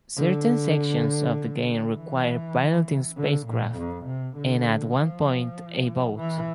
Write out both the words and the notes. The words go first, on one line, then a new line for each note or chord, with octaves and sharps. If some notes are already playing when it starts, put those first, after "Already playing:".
Certain sections of the game require piloting spacecraft and at one point a boat.
D3
E3
D3
A#2
F2
C3
D3
F3
E3